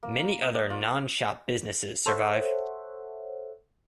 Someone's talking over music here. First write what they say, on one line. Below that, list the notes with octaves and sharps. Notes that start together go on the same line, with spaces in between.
Many other non-shop businesses survive.
A#3
A#4
D#5
D5
F4
A4 C5 C#5 E5 F#5